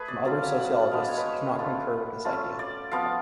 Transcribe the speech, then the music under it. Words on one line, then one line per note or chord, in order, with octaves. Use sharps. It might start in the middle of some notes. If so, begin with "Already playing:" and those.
Some other sociologists do not concur with this idea.
Already playing: A3 G#4 B4
D5
F#3 C#4 F4 D5
F5
F#5
F#5
G#3 B3 D4 F5
D5
C#5
B4
C#5
A3 D4 F4
A3 C#4 F4
D5
F3 B3 F4 F5